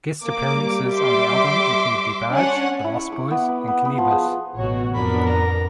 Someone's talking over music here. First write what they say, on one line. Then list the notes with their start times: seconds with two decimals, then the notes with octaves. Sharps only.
Guest appearances on the album included DeBarge, the Lost Boyz and Canibus.
0.23 A#3 D6
0.54 G3
0.94 E5 C6 D6
2.31 C#4 D4 F#5
2.84 E4
2.98 C#6
3.12 D6
3.31 B3
3.49 B4
3.68 B3
3.85 B3
3.98 F3
4.11 G#4
4.55 A1 B2 F#4 C#5
4.94 F2 B3 D4 A#4 B5
5.26 A#5